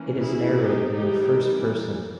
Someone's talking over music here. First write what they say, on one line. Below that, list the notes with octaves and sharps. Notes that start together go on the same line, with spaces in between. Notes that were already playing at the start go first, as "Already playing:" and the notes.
It is narrated in the first person.
Already playing: E3 A#3 C#4
E4 G#4
D#4 G4
E3 G3 A#3 D#4 G4